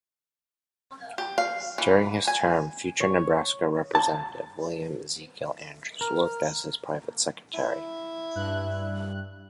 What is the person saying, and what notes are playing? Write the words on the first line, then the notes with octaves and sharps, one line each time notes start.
During his term, future Nebraska representative William Ezekiel Andrews worked as his private secretary.
G4
F5
E3
G#5
C#5
A5
A#4
E4
G2 F#6